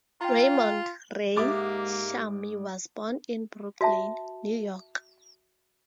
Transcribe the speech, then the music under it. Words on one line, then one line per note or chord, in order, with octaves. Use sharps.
Raymond "Ray" Shamie was born in Brooklyn, New York.
F4 G5 A#5
G#2 G#3 A#3 G4 E5 D6 A6
F#4 E5 A5